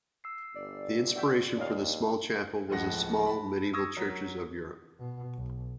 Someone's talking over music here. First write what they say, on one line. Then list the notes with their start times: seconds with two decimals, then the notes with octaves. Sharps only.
The inspiration for this small chapel was the small medieval churches of Europe.
0.24 E6 C7
0.55 G1 D5
1.16 F#4 E5 G5
1.57 D#2 C#4 D#5 F5
2.69 D1 A2 F3 G#3 F#5 A#6
3.26 A5 B5
3.73 C#6 D#6 E6 G#6 A#6
3.97 F#3 A#4 A#6 B6
5.00 B2
5.37 B1